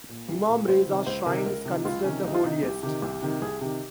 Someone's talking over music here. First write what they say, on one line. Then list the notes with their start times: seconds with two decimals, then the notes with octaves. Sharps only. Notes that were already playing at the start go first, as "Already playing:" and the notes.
Imam Reza's shrine is considered the holiest.
0.09 A#2
0.29 C2
0.49 A#2
0.67 C#2 C5
0.88 C3 D#3
1.07 C#2 C5
1.26 C3 D#3 A#4
1.46 C#2 A#4
1.65 C3 D#3
1.85 C#2 F4
2.04 C3 D#3 C#4
2.24 C2 D#4
2.34 F4
2.44 C3 D#3 D#4
2.63 C2 G4
2.83 C3 D#3 G4
3.02 C2 G4
3.22 C3 D#3
3.42 C2 G#4
3.61 C3 D#3 G4